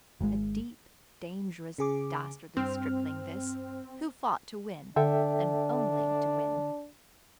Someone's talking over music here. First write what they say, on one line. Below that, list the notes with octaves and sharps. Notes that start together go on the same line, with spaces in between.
A deep, dangerous, dastardly stripling this, who fought to win and only to win.
G#1 G#2 G#3
C#3 G#4 D6
G2 C4 F6
D3 D4 A4 E5 G5